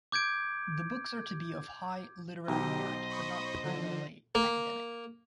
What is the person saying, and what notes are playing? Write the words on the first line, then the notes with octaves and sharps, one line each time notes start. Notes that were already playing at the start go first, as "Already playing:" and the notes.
The books are to be of high literary merit but not primarily academic.
D6 G6 G#6 D7
B1 D#4 G4 C5 D#5
B5 C#6 D#6
D3 F3
A#3